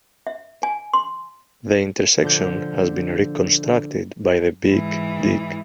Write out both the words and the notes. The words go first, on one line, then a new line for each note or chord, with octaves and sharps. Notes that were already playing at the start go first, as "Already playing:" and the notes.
The intersection has been reconstructed by the Big Dig.
E5
G#5
C6
A#1 D3 F3 G6
G#2 E3